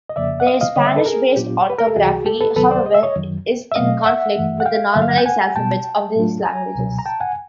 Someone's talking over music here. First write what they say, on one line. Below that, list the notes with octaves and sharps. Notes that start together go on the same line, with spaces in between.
Their Spanish-based orthography, however, is in conflict with the normalized alphabets of these languages.
D#5
F2 C#3 F3 A#3 D5 E5
F#5
D#5 F5
D#5 F5
D3 G3 A#3 C#5 D#5
D5 E5
A4 B4
G#4 A#4
A#2 F#3 B3 D4 F4 G4
B4
A#4
A4
C#2 C3 E3 F#4 G#4
G4 A4
A4 B4
C#2 C3 D#3 F#3 B3 A4 B4
C5 D5
D#5
E5
C#5 D#5
F#2 D#3 F#3
E5
B2 F#3 A3 C4 D#5 F5
E5 F#5
G2 E3 A3
F#5
F5 G5
G2 D3 F#3 A#3 E5
F5
F#5
G5
F#5 G#5
B2 G3 B3 G5 A5
A2 F#3 A3 D4 F4
G#5 A#5
C#2 B2 F#3
A#5
G5 A5
F#5 G#5